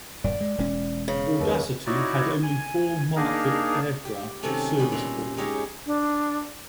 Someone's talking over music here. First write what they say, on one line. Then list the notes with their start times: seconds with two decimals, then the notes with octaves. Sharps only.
"Audacity" had only four Martlet aircraft serviceable.
0.24 D#1 G2 D5
0.41 G#3
0.58 E1 G#3 C#4
1.08 C#3
1.39 D#2 A4 B4
1.87 D#4 E4 F#4 C#5 D5
2.43 G#5
3.16 A#3 D4 D#4 G#4 A#4
4.05 G4
4.43 C3 D#3 F#3 A3 C#4
4.78 B2 G3 B4 B5
4.92 A#2 E4
5.37 G#3 D#4 G4 C#5 E5 F5
5.86 D4